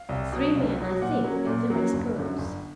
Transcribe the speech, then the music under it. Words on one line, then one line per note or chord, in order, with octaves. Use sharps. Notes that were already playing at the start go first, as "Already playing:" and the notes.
Three men, I think, and the rest girls.
Already playing: F5
C2
B2 F#3
C2
B2 F#3
A#2 F#5
F#3 A#3 C#4
A#2
F#3 A#3 C#4
G1
F#2 D3
G1